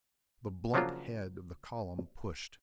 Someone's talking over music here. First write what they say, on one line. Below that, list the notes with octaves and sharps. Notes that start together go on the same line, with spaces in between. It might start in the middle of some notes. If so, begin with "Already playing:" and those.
The blunt head of the column pushed.
C#3 F3 F#3 A#3 D4 F4